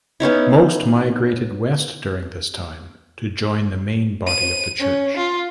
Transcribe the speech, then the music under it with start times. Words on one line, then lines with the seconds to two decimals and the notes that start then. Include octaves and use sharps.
Most migrated west during this time to join the main body of the church.
0.20 B3 C#4 D#4 E4
4.27 D#7
4.80 C#4
5.17 F4